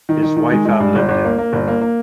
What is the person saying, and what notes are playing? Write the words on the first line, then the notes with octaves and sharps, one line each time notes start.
His wife outlived him.
D#3
D#3
D#3
G#3
G#3
G2
G1
G1
A#3
A#3
G1
A#3
A#3